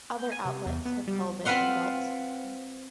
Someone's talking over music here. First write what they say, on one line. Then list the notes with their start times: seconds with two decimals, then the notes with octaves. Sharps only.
Other outlets have called it a cult.
0.19 G6
0.32 G#5
0.45 C3
0.66 E2
0.85 B3
1.07 G3
1.45 C4 F4 B4 F5 F#5 C6